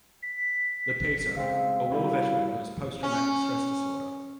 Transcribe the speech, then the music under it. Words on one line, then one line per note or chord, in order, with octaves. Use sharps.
Lupito - A war veteran who has post-traumatic stress disorder.
B6
C#3 G#3 C4 F5
G3 E4 F#4
C#4